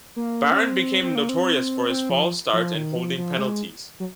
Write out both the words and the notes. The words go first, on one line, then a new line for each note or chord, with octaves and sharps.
Barron became notorious for his false start and holding penalties.
A#3
C#4
C4
C4
A#3
C4
C4
F3
F3
D#3
F3
F3
G#3
F#3